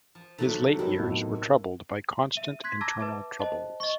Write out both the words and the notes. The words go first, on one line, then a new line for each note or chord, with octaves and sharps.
His late years were troubled by constant internal troubles.
F3
C3 D#3 F#3 A3
D#3 F#3 E4
B1 A2
E5 D#7
C6 F#6 G#6 B6
A5 A#5 D6 E6 G#6 A#6
B4 E5 A5 D6
C5 D#5 A5
D#5 C#6